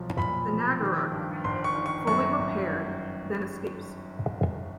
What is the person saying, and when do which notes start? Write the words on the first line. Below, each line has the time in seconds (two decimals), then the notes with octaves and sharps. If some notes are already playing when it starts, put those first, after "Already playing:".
The "Naggarok", fully repaired, then escapes.
Already playing: B1 F3
0.18 A#2 B5
0.49 F3
0.81 D#3
1.12 G2
1.44 G1 C6
1.64 C#6
1.76 D#3
1.86 C#6
2.07 F#2 C#6
2.39 G1